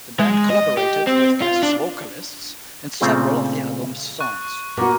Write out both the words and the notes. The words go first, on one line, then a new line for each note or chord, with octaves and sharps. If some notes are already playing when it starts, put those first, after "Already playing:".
The band collaborated with guest vocalists in several of the album's songs.
G#3
D#5
G4
C4
F4
D4
A#2 C#3 A3 C4 F4 G#4
C#6 F#6
B2 A#3 F#4 A#4 D5